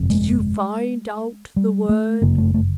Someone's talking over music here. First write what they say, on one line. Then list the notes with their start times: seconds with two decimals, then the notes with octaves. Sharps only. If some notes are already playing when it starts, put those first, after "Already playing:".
"Did you find out the word?"
Already playing: G1 F2 C3
0.10 G#3
1.56 G3
1.89 A3
2.22 G1 F#2 C#3 A#3
2.38 A3
2.54 A3